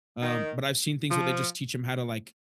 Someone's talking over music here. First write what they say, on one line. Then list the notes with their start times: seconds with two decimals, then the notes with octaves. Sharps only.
Um, but I've seen things where they just teach 'em how to, like,
0.22 D#3
1.10 F3